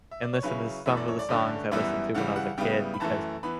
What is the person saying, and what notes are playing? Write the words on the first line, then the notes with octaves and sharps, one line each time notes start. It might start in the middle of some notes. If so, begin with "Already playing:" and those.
and listen to some of the songs I listened to when I was a kid because
E5
D5
C#5
C#3 F#3 C#4 E4 B4
F#2 E3 A3 E5
D5
C#5
D5
G2 D3 A3 C#4
F#2 E3 G3 B3 E4 E5
C#3 E3 G3 F#5
F#5
C#3 G3 B3 E4 G5
B5
F#2 E3 A3 A5
E3 B3 B5